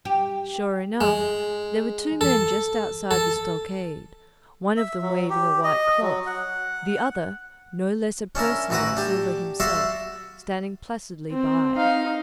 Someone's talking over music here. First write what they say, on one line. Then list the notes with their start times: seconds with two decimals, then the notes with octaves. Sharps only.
SURE enough, there were two men just outside the stockade, one of them waving a white cloth, the other, no less a person than Silver himself, standing placidly by.
0.05 G4
1.01 G#3
2.21 A4
3.11 A4
4.77 E5
5.02 F#3
5.30 G4
5.64 D#5
6.02 F#3
6.27 F#5
8.35 C#4 D4 E4 A#4
8.70 A1 E3 F#4 B4 F#5 A#5
8.97 D4 G4
9.60 F#4 D5 E5 F5 C6
11.31 C4
11.76 D#4 F5